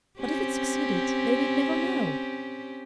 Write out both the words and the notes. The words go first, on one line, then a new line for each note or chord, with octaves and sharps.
'But if it succeeded, they need never know.
C4 C#4 G4